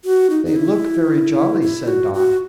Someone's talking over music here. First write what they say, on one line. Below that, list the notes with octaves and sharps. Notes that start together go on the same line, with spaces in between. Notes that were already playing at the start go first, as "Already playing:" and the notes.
"They look very jolly," said Dot.
F#4
D#4
D#4
E4
E4
F#4
F#4